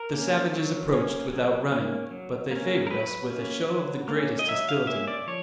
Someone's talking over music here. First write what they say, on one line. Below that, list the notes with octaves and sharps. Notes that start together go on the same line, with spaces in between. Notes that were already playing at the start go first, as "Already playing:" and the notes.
The savages approached without running, but they favored us with a show of the greatest hostility.
Already playing: A#4
A#3 C#4
F#3
A#3 C#4
F#3
A#3 C#4
F#3
A#3 C#4
A#4
F#3 B4
A#3 C#4
F#3
A#3
C#4
D#5
F#3 E5
F5
A#3 C#4 E5
D5
F3 C#5